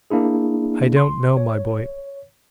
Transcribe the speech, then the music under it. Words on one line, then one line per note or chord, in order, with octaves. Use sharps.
"I don't know, my boy."
A#3 D4 E4 G#4
C6
C#5